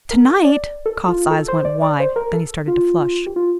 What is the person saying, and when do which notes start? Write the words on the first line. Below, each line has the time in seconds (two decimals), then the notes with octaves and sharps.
"To-night!" Kauf's eyes went wide, then he started to flush.
0.11 A#4
0.45 D5
0.86 A4
1.08 F4
1.31 A4
1.48 C5
1.65 D5
1.82 D5
2.00 C5
2.16 A#4
2.34 A4
2.68 F4
3.26 G4
3.36 F4